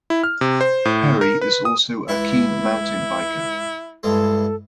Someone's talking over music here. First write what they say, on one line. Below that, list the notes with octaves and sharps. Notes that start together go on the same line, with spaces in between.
Perry is also a keen mountain biker.
E4
F6
C3
C5
A2
A#4
B4
D#6
C#2 E3 E4 B4
G2 E3 G#3 A4